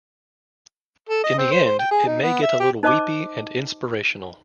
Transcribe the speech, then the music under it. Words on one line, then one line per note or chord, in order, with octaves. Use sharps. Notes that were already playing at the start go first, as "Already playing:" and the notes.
In the end it may get a little weepy and inspirational.
A4
D#5
C4
C5
C5
G5
G#4
D#4
B3
E5
G4
D#4 C5 D#5 A5 C#6 D6